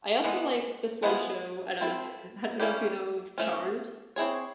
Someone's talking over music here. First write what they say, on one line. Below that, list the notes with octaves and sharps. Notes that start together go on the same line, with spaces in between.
I also like this one show, I don't know if I don't know if you know of Charmed,
E3 G#3 B3
F3 G#3 B3 E4
C4 E4 A4
G3 A#3 C#4 E4 G4
F3 A3 C#4
C4 E4 G#4 C#5